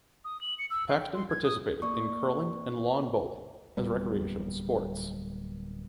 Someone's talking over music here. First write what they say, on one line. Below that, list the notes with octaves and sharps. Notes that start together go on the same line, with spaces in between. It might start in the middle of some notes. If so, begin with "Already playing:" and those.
Paxton participated in curling and lawn bowling as recreational sports.
D#6
F#7
C#7
E6
F5
G5
C6
G#6
D#6
A#3 D5 C#6
D1 G3 A#3 B3